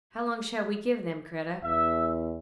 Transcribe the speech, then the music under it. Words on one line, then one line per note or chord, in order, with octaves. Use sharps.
"How long shall we give them, Kreta?"
E2 E5